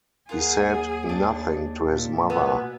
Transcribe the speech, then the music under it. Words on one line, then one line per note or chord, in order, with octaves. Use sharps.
He said nothing to his mother.
D#2 F4 G#4 A#4 F#5
D4 D#4 D6
A#2
B2 B3 E5 G#5